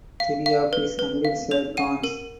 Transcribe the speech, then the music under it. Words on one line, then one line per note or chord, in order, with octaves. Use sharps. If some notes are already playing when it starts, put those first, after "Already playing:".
Three of his uncles were khans.
F5
F5
B4
B4
F5
C#5 F7
F#5 D#7
A#4 D#7